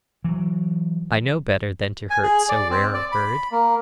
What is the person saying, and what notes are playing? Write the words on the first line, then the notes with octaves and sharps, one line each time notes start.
I know better than to hurt so rare a bird.
E3 F#3
G#5
G#4
D5
C4
D5
B5
A#3